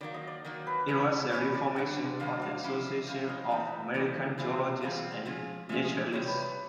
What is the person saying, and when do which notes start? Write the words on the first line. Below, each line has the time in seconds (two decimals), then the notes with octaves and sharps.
It was a reformation of the Association of American Geologists and Naturalists.
0.01 D#3 F#3 A#3 D5
0.14 D#5
0.27 D5
0.45 D#3 F#3 A#3
0.67 B4
0.88 C3 E3 G#3 C#4
1.32 C3 E3 G#3 C#4 C#5
1.54 D5
1.76 G2 D3 F#3 F#5
2.20 G2 D3 F#3 F5
2.42 F5
2.63 F3 G#3 C#4 E4
3.07 F3 G#3 C#4 E4 F5
3.29 D#5
3.51 A2 E3 A3 C4 D#4
3.94 A2 E3 A3 C4 D#4 D5
4.38 E3 G3 C4 F4 G#4 E5
4.81 E3 G3 C4 F4 G#4 F5
4.96 F#5
5.11 F5
5.25 F3 G#3 C#4 F4 G#4
5.69 F3 G#3 C#4 F4 G#4 E5
5.84 D#5
5.98 D5
6.12 E2 C3 G3 C#5
6.28 B4
6.42 B4